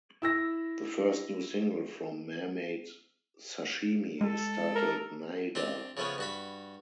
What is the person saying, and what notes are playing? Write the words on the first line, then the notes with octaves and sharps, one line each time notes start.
The first new single from "Mermaid Sashimi" is titled "Nada".
E4 E6 A#6
G#3 A4
A#4
C4 D4 G4
C#3 F3 A3 B3 C#4
G2 F#4 B5